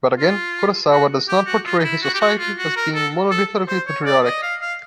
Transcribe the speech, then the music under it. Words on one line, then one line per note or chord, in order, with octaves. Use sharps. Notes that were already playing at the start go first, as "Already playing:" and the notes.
But again, Kurosawa does not portray his society as being monolithically patriotic.
F4
F#4
G4
F#4
F4
D#4
E4
F#4
G4
F#4
F4
F#4
A#4
A4
A4
C5
C#5
D5
D#5
F5
F5